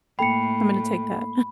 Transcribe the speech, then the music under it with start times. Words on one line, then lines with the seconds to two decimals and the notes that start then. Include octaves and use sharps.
I'm gonna take that.
0.19 A2 A#3 A4 G5 B5 C7 C#7